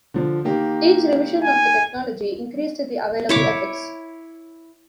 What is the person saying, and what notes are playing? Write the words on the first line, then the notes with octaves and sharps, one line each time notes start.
Each revision of the technology increased the available effects.
D3 F3
D#3 A#3 G4
G#5
E4 C#5 D6